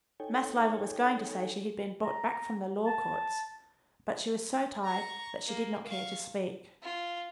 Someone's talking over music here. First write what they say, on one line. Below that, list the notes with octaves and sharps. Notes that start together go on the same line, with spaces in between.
Maslova was going to say she had been brought back from the Law Courts, but she was so tired that she did not care to speak.
D#4 A4 C#5 G5 G#5
A#5
A5
A#5 C#6
A#3
F5 C#6
F4